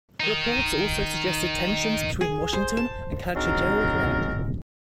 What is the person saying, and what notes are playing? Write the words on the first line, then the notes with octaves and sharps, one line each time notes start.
Reports also suggested tensions between Washington and catcher Gerald Laird.
D#3 D#4
G#4
C5
A5
F#3 G#3 C4 D4 D#4 A#4